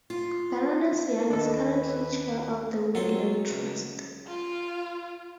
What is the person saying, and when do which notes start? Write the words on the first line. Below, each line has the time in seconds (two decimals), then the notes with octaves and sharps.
Baroness Young is currently chair of the Woodland Trust.
0.10 F4
1.30 D#2 D4 A4 B4 D#5
2.95 F#3 C4 F4 A4
3.51 C#2
4.27 F4